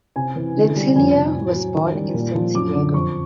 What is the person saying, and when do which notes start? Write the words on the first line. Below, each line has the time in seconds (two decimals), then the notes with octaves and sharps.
Letelier was born in Santiago.
0.16 C3 G#5
0.36 E3
0.56 D3
0.76 G3
0.96 F2 G#5
1.15 C3
1.35 A2
1.54 F#3
1.75 D#3
1.95 G3
2.14 A#2
2.35 F3
2.54 F#2 D6
2.74 D3
2.94 F2 C#6